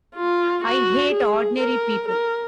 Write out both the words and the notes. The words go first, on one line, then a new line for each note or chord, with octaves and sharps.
I hate ordinary people!
F4
F#4
G#4
A#4
A#4